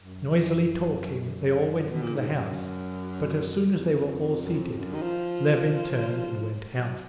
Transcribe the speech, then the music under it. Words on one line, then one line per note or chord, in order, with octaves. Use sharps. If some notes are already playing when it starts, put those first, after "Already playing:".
Noisily talking, they all went into the house; but as soon as they were all seated, Levin turned and went out.
F#2
F2
F#2
B2
A#2
G#2
F#2
F2
F#2
F2
F#2
D#3
F3
F#3